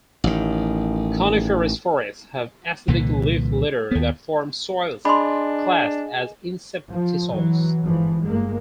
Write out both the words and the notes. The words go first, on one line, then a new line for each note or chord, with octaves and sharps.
Coniferous forests have acidic leaf litter that form soils classed as inceptisols.
A1 D#3
C2 A#2 D3 E3
D#2 B3
D4 G#4 D#5 G#5 B5 C6
F3
E3 F#3
G1 G#2 E3 F3
G1 G#3 A#3